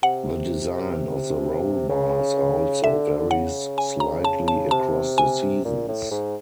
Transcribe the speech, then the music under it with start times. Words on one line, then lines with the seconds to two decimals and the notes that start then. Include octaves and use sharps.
The design of the roll-bars also varies slightly across the seasons.
0.03 C3 F#5
1.90 C#3
2.83 D3 E5
3.30 C#3 F#5
3.78 G#5
4.00 A#5
4.24 A5
4.48 A5
4.71 C3 A5
5.18 G#5
5.65 A#2
5.88 A2
6.11 G#2